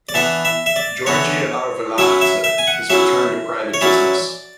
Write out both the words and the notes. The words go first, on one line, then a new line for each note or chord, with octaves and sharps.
Giorgi Arveladze has returned to private business.
D5
E3 B3 D4 E5
E5
E5
D5
E3 B3 D4 C#5
F#3 C#4 E4 E5
E5
E5
G#5
F#5
F#3 C#4 E4 E5
C#5
F#3 C#4 E4 D5